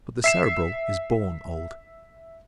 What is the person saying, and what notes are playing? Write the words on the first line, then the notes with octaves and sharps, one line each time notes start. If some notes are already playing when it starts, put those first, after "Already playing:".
But the Cerebral is born old.
E5 C7 E7